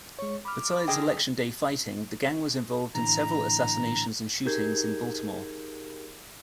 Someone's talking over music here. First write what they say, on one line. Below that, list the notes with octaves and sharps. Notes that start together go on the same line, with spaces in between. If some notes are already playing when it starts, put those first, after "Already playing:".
Besides election-day fighting, the gang was involved in several assassinations and shootings in Baltimore.
G#3 C#5 C#6
B5 D6 F6
D3 G#4 D#5 G5
A2 D3 E3 A#5
D#4 G4 G#4 A#4 G6 G#6